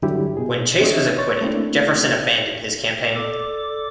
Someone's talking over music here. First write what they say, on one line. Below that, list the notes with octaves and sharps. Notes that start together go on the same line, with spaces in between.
When Chase was acquitted, Jefferson abandoned his campaign.
G2 D3 F#3 G3 E4 G4
B2 G#4
C4 D4 C#5 D#5 E5
C#5 C#6 A6
A3 A#3 C4 D4 E4
A4 D5 D6